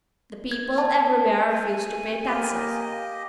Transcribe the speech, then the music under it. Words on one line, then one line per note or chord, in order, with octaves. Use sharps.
The people everywhere refused to pay taxes.
G#6
A5
G#5
A#3 G4 D#5